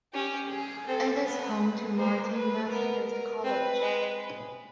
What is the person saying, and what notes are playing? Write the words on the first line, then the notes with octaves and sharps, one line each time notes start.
It is home to Martin Methodist College.
C#4 G4
G#4
C4 A4
B3 B4
A#3 C5
B4
B3 A#4
A#4
C4 B4
G#3